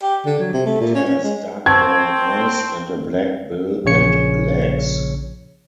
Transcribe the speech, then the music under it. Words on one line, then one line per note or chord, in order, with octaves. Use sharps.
It has dark brown eyes and a black bill and legs.
G4
D3
F#3
C3
A3
A#2
C#4
C#4
G#3
C4 A5 C#6 E6 G#6
A#1 C#3 C#5 C#7